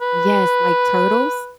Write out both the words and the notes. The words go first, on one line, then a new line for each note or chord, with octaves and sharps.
Yes, like Turtles?
B4